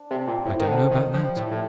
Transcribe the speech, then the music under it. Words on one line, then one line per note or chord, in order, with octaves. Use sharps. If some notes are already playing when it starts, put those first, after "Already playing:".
I don't know about that.
Already playing: D4
C3 G4 D5
A#2
A2 C4
D#3
D3
F4 C5
D#3
F3 G3
A2
A2 D4 G4